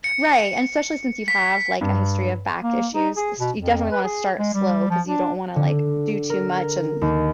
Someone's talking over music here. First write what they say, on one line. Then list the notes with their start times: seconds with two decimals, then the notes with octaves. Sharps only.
Right. And especially since you have, like, a history of back issues, s you definitely wanna start slow cause you don't wanna, like, do too much and
0.04 C#7
1.28 B6
1.81 G2
2.63 A#3
2.94 D#4
3.17 G#4
3.40 B2
3.56 F2
3.92 B4
4.04 G#4
4.39 G#3
4.54 G3
4.90 F3
5.07 D4
5.56 D3
6.30 A#4
7.01 D#2